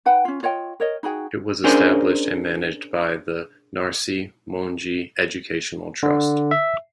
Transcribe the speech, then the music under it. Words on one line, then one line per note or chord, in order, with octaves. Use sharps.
It was established and managed by the Narsee Monjee Educational Trust.
D#4 B4 F#5 G5
C#4 F4
F4 C#5 D#5 G5
A#4 C#5 D#5
D#4 F#4 G#4 G5
C#4 D4 G#4 A#4 C5
D3
E5